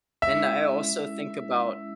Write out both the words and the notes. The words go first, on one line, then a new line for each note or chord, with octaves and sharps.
and I also think about
G#3 C#4 E4 E5